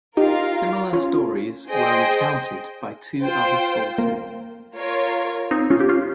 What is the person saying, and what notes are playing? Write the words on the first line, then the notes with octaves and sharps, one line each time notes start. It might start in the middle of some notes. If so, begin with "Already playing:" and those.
Similar stories were recounted by two other sources.
D#4 F4 G4 A#4 F5
C#4 F4
G#4 C5 D#5 G5
F4 C5 G5
A#3
F4 A#4 C#5
C4 D#4
C#4 F4
G4
C#4 F4